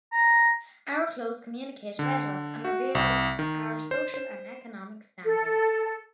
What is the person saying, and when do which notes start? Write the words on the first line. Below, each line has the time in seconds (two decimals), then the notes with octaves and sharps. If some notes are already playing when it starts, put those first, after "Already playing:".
Our clothes communicate about us and reveal our social and economic standing.
0.12 A#5
1.99 D3
2.65 F#4
2.95 C2
3.39 D#3
3.91 C5
4.14 C5
5.24 A4